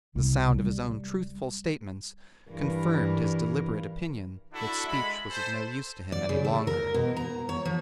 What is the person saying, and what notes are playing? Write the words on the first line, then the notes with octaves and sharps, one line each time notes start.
The sound of his own truthful statements confirmed his deliberate opinion that speech was of no use to him any longer.
C2
G3
G2 E3 A#4
D4 E4 F#4 A4 E5
G#3 B5
A4 C5
D5
C#3
A3
A#4
B2
A#5
C#5
F3